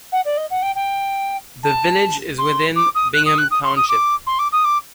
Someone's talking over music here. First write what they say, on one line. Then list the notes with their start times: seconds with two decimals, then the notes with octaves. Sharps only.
The village is within Bingham Township.
0.12 F#5
0.25 D5
0.37 D#5
0.50 F#5
0.62 G5
0.75 G5
1.63 A5
2.38 C6
2.76 D6
2.95 D#6
3.13 F#6
3.26 D#6
3.38 F#6
3.51 D#6
3.64 C6
3.76 D#6
3.89 D6
4.27 C6
4.39 D6
4.52 D#6
4.64 D6